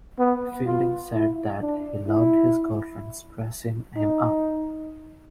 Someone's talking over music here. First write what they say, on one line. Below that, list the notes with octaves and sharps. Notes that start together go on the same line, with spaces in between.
Fielding said that he loved his girlfriends dressing him up.
B3
F4
E4
D4
E4
D#4